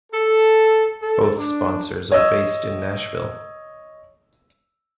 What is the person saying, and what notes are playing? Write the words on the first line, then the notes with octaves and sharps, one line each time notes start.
Both sponsors are based in Nashville.
A4
A4
D4
C#5 D#5 E6